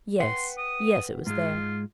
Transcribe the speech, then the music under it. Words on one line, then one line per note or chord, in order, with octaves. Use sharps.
'Yes--yes--it was there.'
B4 F#5 G5 C6
D#6
G#2 G#3 F4